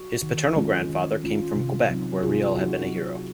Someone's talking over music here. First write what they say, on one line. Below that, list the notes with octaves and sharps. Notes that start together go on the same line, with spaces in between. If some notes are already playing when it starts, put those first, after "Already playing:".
His paternal grandfather came from Quebec, where Riel had been a hero.
Already playing: F#4
D#3
G#3 C#4 F4
D#3
G#3 C#4 F4
C3
F#3 C4 D#4
C3 F4 G#4
F#3 C4 D#4 F#4